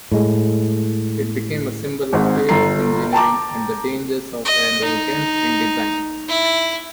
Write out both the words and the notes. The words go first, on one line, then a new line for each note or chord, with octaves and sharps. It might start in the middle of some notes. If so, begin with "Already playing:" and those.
It became a symbol of failed engineering and the dangers of arrogance in design.
A2 G#3
G#1 G#2
G1 A4 A#5 C7
G5 A5 A#5 D6
D#5
D#4
E4